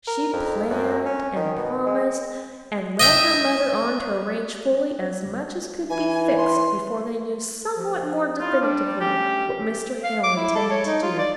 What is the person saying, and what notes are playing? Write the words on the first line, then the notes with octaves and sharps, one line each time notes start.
She planned and promised, and led her mother on to arrange fully as much as could be fixed before they knew somewhat more definitively what Mr. Hale intended to do.
A#4
F2
F#2
C#4
D#3
B2
G#3
D#5 E5 G5
E3 G#5
C6
F3
E4 F4 F6
G3 D4
A3 C#4 G4
F5
D6
E4
A4
C#5
D#4
F4
D5